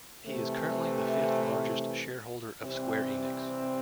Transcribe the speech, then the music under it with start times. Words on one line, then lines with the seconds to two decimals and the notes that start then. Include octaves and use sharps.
He is currently the fifth largest shareholder of Square Enix.
0.24 C3 E3 A3
2.62 C3 E3 G3 C4